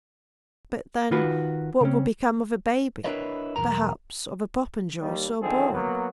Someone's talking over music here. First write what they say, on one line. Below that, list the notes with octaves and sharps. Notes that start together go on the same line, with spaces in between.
But then what would become of a baby--perhaps of a Popenjoy--so born?
D#3 F4 F#4 B4
C#3 C4 C#4
D4 E4 A#4 B4 C#5 D#5
B1 E2 G#2 A#4 A#5
D#2 G3
D3 D#3 F3 C4 G#4 A4
F#3 A#3 B3